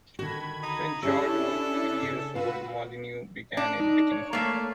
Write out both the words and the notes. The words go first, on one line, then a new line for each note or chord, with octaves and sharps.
When George was three years old Molineux began educating him.
D3 D#3 F#4 B5 G#6
D#4
C#4 D4 E4 F#4 G4 A4 C#5
C#3
F4 F#4 B4 F5 E6
D4
D#4
C#5
A3 A#3